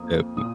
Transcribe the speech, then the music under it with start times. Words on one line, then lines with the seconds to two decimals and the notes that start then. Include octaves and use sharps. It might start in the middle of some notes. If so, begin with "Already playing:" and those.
That'd be
Already playing: F2 F3 A#3 F4 D#6
0.37 A#2 D#6